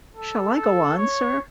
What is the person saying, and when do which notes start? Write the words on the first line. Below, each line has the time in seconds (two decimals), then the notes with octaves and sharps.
Shall I go on, sir?
0.17 A4
0.57 A4
0.97 C#5